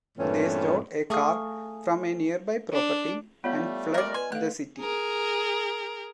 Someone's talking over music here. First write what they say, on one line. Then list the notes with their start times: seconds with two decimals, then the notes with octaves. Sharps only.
They stole a car from a nearby property and fled the city.
0.18 G2 A#2 E3 A3 C4 C#4
1.10 A3 G#4 F5 C#6 D#6
2.73 D4
3.44 G3 A3 B3 F4 C#5 F5
3.94 A#4 D5 D#5
4.14 B4 G#5 C6
4.32 A3 A4 F5 F#6
4.79 G#4 A#4